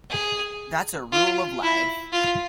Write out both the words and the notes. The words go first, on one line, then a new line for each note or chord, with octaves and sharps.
That's a rule of life.
G#4
F4
E4
F4